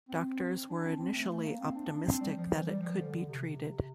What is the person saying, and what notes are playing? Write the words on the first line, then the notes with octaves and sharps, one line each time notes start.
Doctors were initially optimistic that it could be treated.
C4
D4
C4
C4
A3
A3
A#3
C4
D4
D4
C4
G3
F3
E3
G3
F3
D3
D3
C3
C3